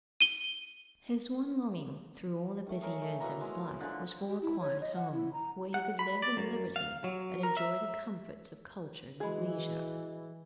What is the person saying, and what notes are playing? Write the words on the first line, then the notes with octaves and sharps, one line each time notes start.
His one longing through all the busy years of his life was for a quiet home, where he could live in liberty and enjoy the comforts of cultured leisure.
D#7 G7
D#3 A3
G#4 A#4 C#5
A3
B2 A#3 E4 A#5
G#3
D3 F3 G#3
G4
E4
C#5
D#5
F#5
E4
A#5
F#5
B5
D5
F#2
F5
F#3
A#4
E5
E3 G#3 F#4 G#4 D#5 B5